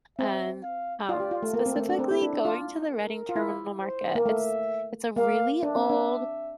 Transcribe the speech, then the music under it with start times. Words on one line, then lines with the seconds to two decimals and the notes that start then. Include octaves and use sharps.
and, um, specifically going to the Reading Terminal Market. It's it's a really old
0.18 C4 E5
0.63 F5
1.09 F4 D5
1.20 G4
1.31 F4
1.43 A3
1.54 A#3 A4
1.66 C4
1.76 A3
1.89 D4
1.99 C4
2.11 E4
2.22 D4
2.33 D4
2.45 F4
2.90 A#4
3.29 F4
3.36 E4
3.81 C5
4.15 A#3
4.26 A3 E5
5.16 A#3 F5
5.62 D4 E5
5.76 C4
5.90 D4